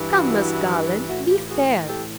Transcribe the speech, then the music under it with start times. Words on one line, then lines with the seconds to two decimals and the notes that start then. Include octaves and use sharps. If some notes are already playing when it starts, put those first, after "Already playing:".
Come, Miss Garland, be fair.
Already playing: G2 E3
0.09 E4 F#4
1.08 A2 E3 E4 F#4
1.28 F4 G4
1.49 F#4 G#4
1.88 G4 A4